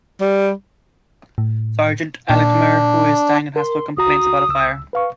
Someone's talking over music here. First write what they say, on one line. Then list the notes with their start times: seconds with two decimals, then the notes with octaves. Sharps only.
Sergeant Altameyer, who is dying in a hospital, complains about a fire.
0.20 G3
1.38 A2
2.30 A#2 D4
3.56 A#4 C6
3.97 C#2 F#4 A#5 D#6
4.48 C#2 E6
4.93 B4 F5 C#6